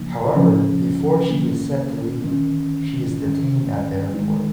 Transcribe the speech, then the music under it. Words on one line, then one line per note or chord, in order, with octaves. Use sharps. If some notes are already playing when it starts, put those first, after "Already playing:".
However, before she is set to leave, she is detained at the airport.
Already playing: C#3 F3 A#3 D#4
C#3 F3 C#4
D#3 A#3 C#4
D#3 C#4
D#3 C#4
D#3 G#3 D#4